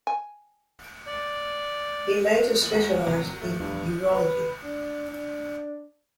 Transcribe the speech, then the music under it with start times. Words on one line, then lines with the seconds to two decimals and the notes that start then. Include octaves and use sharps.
He later specialised in urology.
0.07 G#5
1.07 D5
2.62 A1 A#2 F#7
2.73 D2 G#3 F#4 A#4 G#5
3.07 A2 C3 F3 F#3
3.41 G#1 A3
3.60 A#1 E2 G2 F3
4.12 B4
4.64 D4
5.11 D4